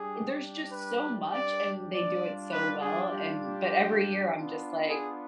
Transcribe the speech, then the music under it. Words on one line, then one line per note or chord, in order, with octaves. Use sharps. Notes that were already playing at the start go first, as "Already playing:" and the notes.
there's just so much, and they do it so well, and but every year, I'm just like,
Already playing: G3 D4 G4 G#4
B4
D5
G3 D4 F4 D5
B4
G#4
G4
G4
B3 D4 F4
G#4